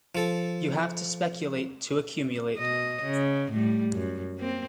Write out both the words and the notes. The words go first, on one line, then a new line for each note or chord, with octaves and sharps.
You have to speculate, to accumulate.
F3 A4
B2 D#5
C#3
A2 G3
F#2
A#3 C4